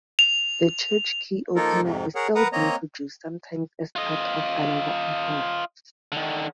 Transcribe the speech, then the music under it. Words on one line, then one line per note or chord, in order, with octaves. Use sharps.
The church key opener is still being produced, sometimes as part of another opener.
F7
F3 A#3 D#4 F4 A4 A#4
F2 G#2 C3
G#4 A#4 C#5 F#5
A#4 B4 F#5 A#5 D#6
A#3 C4 C#5 D#5 A#5
F4 D#5
D3 D#3